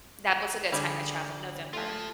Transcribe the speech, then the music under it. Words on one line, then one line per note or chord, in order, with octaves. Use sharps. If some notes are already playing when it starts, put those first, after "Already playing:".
That was a good time to travel, November.
D3 G3 G4 G#4
A3 F4 A5